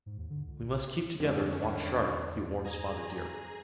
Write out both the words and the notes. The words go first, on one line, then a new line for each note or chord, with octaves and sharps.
"We must keep together, and watch sharp," he warned Spotted Deer.
G#2
D#2
D3
C#2
A#1
F2 D3 D#3 G#3 C#4 D4
E1
G#4 G#5 A#5